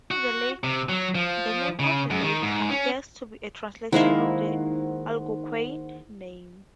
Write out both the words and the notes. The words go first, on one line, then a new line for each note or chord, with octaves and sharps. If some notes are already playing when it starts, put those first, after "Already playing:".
The name of the lake appears to be a translation of the Algonquian name.
F#4
C3
F#3
F3
C#3
F#2
D#3
G#2
C#4
D#3 G#3 A#3 D#4 E4 C5 E5 F#5